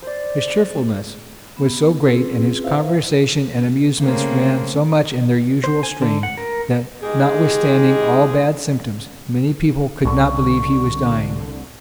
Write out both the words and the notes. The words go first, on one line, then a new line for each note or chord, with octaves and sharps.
His cheerfulness was so great, and his conversation and amusements ran so much in their usual strain, that, notwithstanding all bad symptoms, many people could not believe he was dying.
C5 D5
B3
C4 C#4 E4 F4 G#4 B4
E4 B4 C5 E5 F5
C#3 A3 A#3 C4
C5
G#5
D3
F#5
A#4
G#3 D#4 G4 G#4
C2 D3 C#6